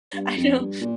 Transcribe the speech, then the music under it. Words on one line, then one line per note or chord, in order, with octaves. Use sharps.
I don't,
G2
F2
G2
A#2